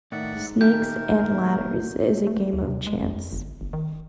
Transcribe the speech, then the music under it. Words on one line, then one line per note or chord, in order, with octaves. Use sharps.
Snakes and ladders is a game of chance.
A2 D#3 D5 E5 F#5
G#2
A#2 D#3 A3 G4 A#4 G6
A3
D#2
C3
G#3
F2
G1
G1
D#3